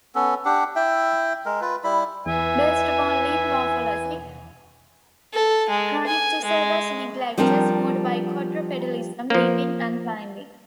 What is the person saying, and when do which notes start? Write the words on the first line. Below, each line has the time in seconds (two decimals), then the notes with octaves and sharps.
Based upon limb morphology, "Pronycticebus neglectus" moved by quadrupedalism, leaping, and climbing.
0.15 B3 C#4 A4
0.45 D4 G4 F#5
0.76 E4 E5 G5
1.46 G#3 A#4
1.61 F4 B4
1.84 G3 E4 B5
2.26 E2 E3 E5 G#5
5.33 A4
5.69 G#3
6.07 G#5
6.45 G#3
7.38 F3 G3 C4 D4 G4 A#4
9.30 F3 A#3